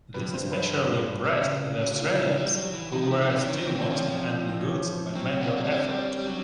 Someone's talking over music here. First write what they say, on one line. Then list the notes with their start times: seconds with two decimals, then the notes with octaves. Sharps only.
This especially impressed the Australians who were still mostly handling goods by manual effort.
0.14 G2 B4
0.33 C5
0.52 B4
0.70 A#4
0.99 B4
1.26 C#3
1.81 C#3 F#4
1.91 D3
2.00 C#3 F4
2.13 D#4
2.19 E4
2.37 G3
2.56 F#3
2.74 E3
2.92 E3 D#4
3.02 F3
3.11 E3 C4
3.22 F3
3.30 E3 C#4
3.48 D#3 C#4
3.63 E3
3.67 C4
3.76 E3
3.82 C4
3.85 F3 C#4
4.04 F3
4.49 C4
4.60 C#4
5.15 F#3 C4
5.41 B3 C#4
5.48 A#3
5.56 A3
5.64 G#3
5.70 G3 C4
5.98 C#4
6.19 G3
6.26 F#3 D4